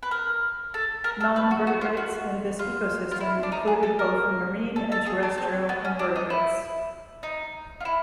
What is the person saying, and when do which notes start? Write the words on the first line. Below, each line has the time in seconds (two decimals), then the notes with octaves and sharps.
Non-vertebrates in this ecosystem included both marine and terrestrial invertebrates.
0.03 B4
0.11 A#4
0.74 A4
1.04 A#4
1.20 A4
1.36 B4
1.51 F#4
1.67 F#4
1.81 F4
1.97 F#4
2.59 F4
3.12 F4
3.20 E4
3.43 D4
3.52 D#4
3.68 G#4
3.83 A4
3.99 A#4
4.76 A4
4.92 A4
5.06 G#4
5.23 D4
5.38 C4
5.69 B3
5.85 C#4
5.99 D4
6.16 D#4
6.30 E4
7.23 D#4
7.80 F4
7.85 E4